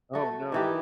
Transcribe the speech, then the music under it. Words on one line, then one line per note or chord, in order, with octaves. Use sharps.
Oh, no.
A3 F#4
D#3 E3 G4